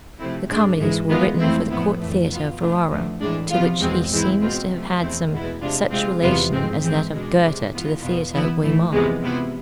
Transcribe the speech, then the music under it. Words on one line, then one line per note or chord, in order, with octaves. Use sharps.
The comedies were written for the court theatre of Ferrara, to which he seems to have had some such relation as that of Goethe to the theatre at Weimar.
C3 F3 A3 C4 E4
G#2 G#3 D4
G#2 E3 G#3
E3 G#3 B3 F4
F2 E3 A3 C4 E4
A2 F3 B3 E4
F2 E3 A3
B2 B3 F4
B2 A3 D4 F4
E2 D3 F3 A3
A2 E3 G#3 D4
C3 F3 B3 F4
E2 B2 G#3 C4
G#2 E3 G#3 C4 E4
B2 G#3 C4 F4
C3 F3 A3
E2 B2 A3 C4 E4
E2 B2 G#3 B3 E4
C3 G#3 D4 F4
C3 G#3 C4 F4
E2 C3 F3 B3 F4
G#2 G#3 C4
E3 G#3 C4
B2 G#3 D4
C3 G#3 D4
G#2 E3 B3 F4
E2 B2 B3 F4
E3 B3 E4
A2 E3 A3
E2 C3 F3 G#3 B3
C3 F3 B3 E4